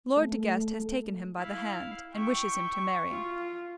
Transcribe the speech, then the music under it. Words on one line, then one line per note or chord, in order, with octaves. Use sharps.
Lord De Guest has taken him by the hand, and wishes him to marry.
A3
E4 F5
E5 G5 C#6
F4